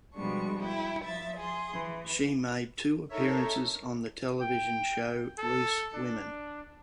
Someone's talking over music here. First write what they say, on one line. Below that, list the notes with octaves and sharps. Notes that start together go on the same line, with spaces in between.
She made two appearances on the television show Loose Women.
B2 F3 G3 G#3 D4 C#6
E4 G5
F3 E5 A6
G#4 C6
E3
D#4 A4 A#4 C#5 E5
G5
A4
D4